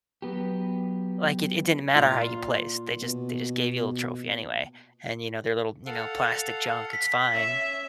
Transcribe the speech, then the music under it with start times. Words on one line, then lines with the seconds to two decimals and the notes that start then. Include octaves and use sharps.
like, it it didn't matter how you placed. They just they just gave you a little trophy anyway. And, you know, they're little, you know, plastic junk. It's fine.
0.22 F#3 B3 G4
1.96 A#2 F4
3.02 B2
5.86 A4 F5 F#5
6.93 B6
7.34 C#4 E5